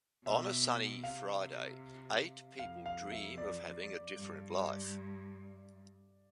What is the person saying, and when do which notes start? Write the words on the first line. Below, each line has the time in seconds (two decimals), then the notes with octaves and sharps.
On a sunny Friday eight people dream of having a different life.
0.25 B2 E5
1.03 C3 F5
2.59 F2 F5
2.86 F5
3.12 E5
3.38 D5
4.16 G2